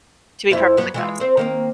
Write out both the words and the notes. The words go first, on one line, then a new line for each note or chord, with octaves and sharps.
to be perfectly honest.
F2 F3 E4
G2 F#3 B3
E3 G#3 F4
C4 C5
D#3 A#3 C4